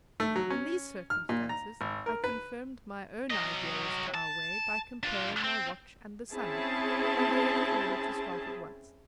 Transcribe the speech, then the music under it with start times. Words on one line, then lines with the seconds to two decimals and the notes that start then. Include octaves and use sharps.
In these circumstances, I confirmed my own idea as to our way by comparing my watch and the sun, and gave the order to start at once.
0.20 A3
0.36 F#3
0.50 C#4
1.10 F6
1.29 A#2
1.49 A#5
1.81 G#1
2.06 A#4
2.24 B4
3.30 F#3 D#5
4.14 A5
5.03 D4 F4
5.44 C4
6.32 C4 C#4 E4 G#4 A5